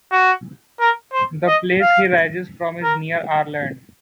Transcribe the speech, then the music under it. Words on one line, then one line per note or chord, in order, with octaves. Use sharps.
The place he rises from is near our land.
F#4
A#4
C5
D#5
F5
A#4